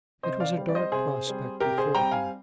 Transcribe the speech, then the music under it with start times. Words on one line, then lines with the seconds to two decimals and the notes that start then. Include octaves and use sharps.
It was a dark prospect before her.
0.23 C3 C5 D#5
0.40 D5 F5
0.58 G3 C4
0.69 D5
0.75 C5 D#5
0.92 C3 G#4 C5
1.27 G3 C4
1.60 C3 G4 A#4
1.78 G#4 C5
1.95 G3 C4 G5 A#5
2.11 F5 G#5